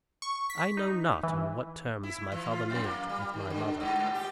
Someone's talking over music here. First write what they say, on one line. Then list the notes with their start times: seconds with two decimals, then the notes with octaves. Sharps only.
I know not on what terms my father lived with my mother.
0.22 C#6
0.50 B6
0.77 D#4
1.23 E3
2.03 E4
2.32 E3
2.51 F4
2.70 F2
2.84 A#3
3.09 G3
3.34 D#3
3.50 D3
3.80 G2
4.00 G#2
4.14 G4